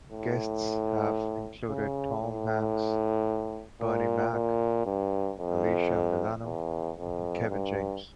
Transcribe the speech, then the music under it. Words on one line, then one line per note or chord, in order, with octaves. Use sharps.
Guests have included Tom Hanks, Bernie Mac, Alyssa Milano and Kevin James.
A2
C#3
A2
A#2
A#2
G2
F2
E2
F2
G2